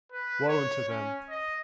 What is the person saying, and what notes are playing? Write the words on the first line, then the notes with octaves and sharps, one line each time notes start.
Woe unto them!
B4
C#5
C#4
D#5